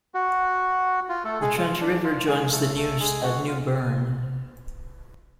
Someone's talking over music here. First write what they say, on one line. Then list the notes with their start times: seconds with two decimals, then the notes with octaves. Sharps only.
The Trent River joins the Neuse at New Bern.
0.14 F#4
1.09 F4
1.25 A3 A4
1.41 G#3 G#4
1.57 F4
1.80 D4
2.04 F4
2.28 G#3 G#4
2.52 A3 A4
2.76 A3 A4
3.00 G#3 G#4
3.24 F#4
3.47 F4